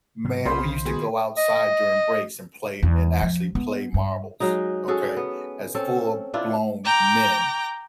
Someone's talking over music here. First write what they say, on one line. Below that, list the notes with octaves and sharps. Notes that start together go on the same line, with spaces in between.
man, we used to go outside during breaks and play and actually play marbles, okay, as full blown men,
G#2 C3 F#3 G#3
B1 C#3 C5 B5 C6
D#3
B2 G#4
D#5
E2
F3
B3
G2
F#3 G#3 D#4
C#4 F#4 G#4 A4
B3
C4 C#4 A4
D4 E4 F4
G5 A#5 D6